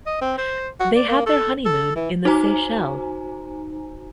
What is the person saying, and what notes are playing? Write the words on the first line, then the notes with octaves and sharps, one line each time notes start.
They had their honeymoon in the Seychelles.
D#5
C4
C5
F#4
D5
A#3
A4
A4
E3
D#4 F#4 C5 G#5 A#5